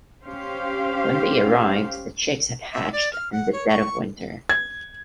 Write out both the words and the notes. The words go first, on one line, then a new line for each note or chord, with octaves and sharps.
When they arrived the chicks had hatched in the dead of winter.
C#4 G4 C5 F5
E5
D5
F6
F#5
C#5
C#6
G#6